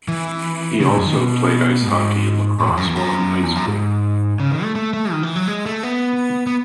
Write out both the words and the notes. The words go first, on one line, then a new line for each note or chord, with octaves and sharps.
He also played ice hockey and lacrosse while in high school.
E3
C#3
A2
F#2
D#3
B2
A2
G#2
A2
E2
F#2
E2
F#2
E2
F#2
G#2
C#3
D#3
A3
A3
A3
D#3
E3
F#3
G#3
A3
B3
B3